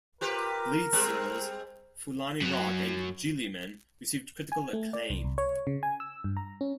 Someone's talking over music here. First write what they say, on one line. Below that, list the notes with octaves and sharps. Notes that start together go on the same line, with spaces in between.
The lead singles, "Fulani Rock" and "Gilli Men", received critical acclaim.
F4 G4 A#4 B4
G3 G#3 C4
F#2 F#3
G#5
A3
D5
C2
C2
C#5
C#3
G#5
E6
G2
A#5
C#4